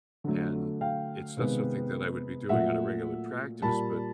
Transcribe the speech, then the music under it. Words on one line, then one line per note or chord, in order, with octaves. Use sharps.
And it's not something that I would be doing on a regular practice, but,
D3 F#3 A3
F5 G5
C3 D#3 G#3 B3
A#2 F#3 A3 E5 F#5
A#2 G3 A#3 A5 B5